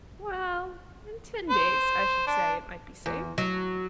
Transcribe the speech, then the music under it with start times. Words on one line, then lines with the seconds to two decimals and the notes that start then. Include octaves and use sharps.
"Well--in ten days, I should say, it might be safe."
1.50 C5
2.27 D4
3.06 E2
3.38 F#3